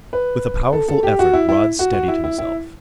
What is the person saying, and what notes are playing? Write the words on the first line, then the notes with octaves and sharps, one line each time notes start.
With a powerful effort Rod steadied himself.
B4
A4
A4
G4
F#4
E4
E4
F#4
F#4
E4
E4
E4